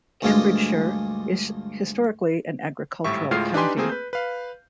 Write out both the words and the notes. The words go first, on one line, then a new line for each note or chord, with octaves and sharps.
Cambridgeshire is historically an agricultural county.
D2 G2 G#3 F4 G#4 D5
G#1 A2 G3 E5 C#6
D2 A2 G#3 F4 F6 C7
D4 D#4 G4 B4 G#5 C6
A3 A#3 C4 G#4
B4 G6
B4 F5